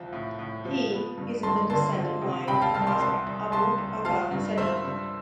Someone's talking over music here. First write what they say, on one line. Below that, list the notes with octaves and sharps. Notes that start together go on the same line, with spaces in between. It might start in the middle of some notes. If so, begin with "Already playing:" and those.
He is in the descendant line from Hazrat Abu Bakar Saddiq.
Already playing: C2 F3
A2
A2
F3
B3
G2
G2 A5 C6
D3 A5 C6
F3
C3
C3 G5 B5
F5 A5
C2 F5 A5
A5 C6
C2 A5 C6
C2
C2 A5 C6
C2
F3 F5 A5
G2
F3 C5 E5
G2